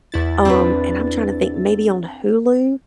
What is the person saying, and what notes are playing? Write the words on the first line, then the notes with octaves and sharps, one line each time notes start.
um, and I'm trying to think, maybe on Hulu?
E2 E4 A6
C4 D4 B4